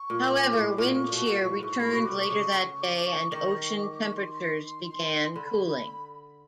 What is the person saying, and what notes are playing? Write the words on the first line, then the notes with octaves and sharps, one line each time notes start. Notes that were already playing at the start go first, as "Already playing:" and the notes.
However, wind shear returned later that day and ocean temperatures began cooling.
Already playing: C#6
A#2
D6
A2
A#2 C#6
A#2
B2
A#2
A2
G#2
A2 B5
B2 C#6
C3 D6
C#6
C#3
D6
C#6
D#3 C#6
D6
D6
C#6
C6
C6
D3 B5